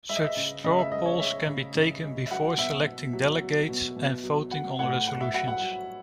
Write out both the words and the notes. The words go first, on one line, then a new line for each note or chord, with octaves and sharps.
Such straw polls can be taken before selecting delegates and voting on resolutions.
G#3 E5
D#5
E5
C#3
C#3 D#5
E5
G#3 D#5
C#5
G#3 E5
C#3
C#3
G#3
E5
F#3 F#5
B2 E5
B2
F#3
F#3
B2
B2
F#3
F#3 F#5
A2 F#5
A2 F#5
E5
F#3 F#5
F#5
F#3